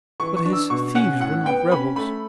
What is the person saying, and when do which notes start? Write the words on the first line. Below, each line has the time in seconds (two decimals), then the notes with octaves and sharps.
But his thieves were not rebels.
0.20 E3 C#6
0.36 C#6
0.45 D4
0.53 E6
0.70 B2 C#6
0.95 C#4 F#5
1.20 A2 F#5
1.46 B3 G5
1.71 C#4 B5
1.96 A3 B5